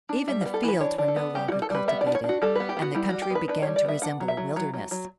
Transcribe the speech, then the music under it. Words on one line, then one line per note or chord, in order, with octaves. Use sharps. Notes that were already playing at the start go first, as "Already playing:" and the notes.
Even the fields were no longer cultivated and the country began to resemble a wilderness.
D4
G3 E5
F#4
B3
A4
E3
B4
D4 C#5
D4
A4
B3
G3 G4
F#4
G3
A4
G3 B4
B3 E5
D5
D4
C#5
D4 F#4
G3 A4
B3 B4
G4
B3
F#4
G3 E4
G3 F#4
G4
B3 B4
D4 B4
G3 C#5
D5
B3 E5
D4 F#5
F#3
E5
F#3
F#3
F#3
F#3